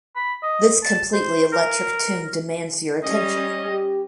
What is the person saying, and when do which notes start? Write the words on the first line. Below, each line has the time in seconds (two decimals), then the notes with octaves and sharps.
This completely electric tune demands your attention!
0.16 B5
0.43 D#5
0.84 A5
1.13 C5
1.53 A#4
3.04 G3 C#4 D#5
3.67 G4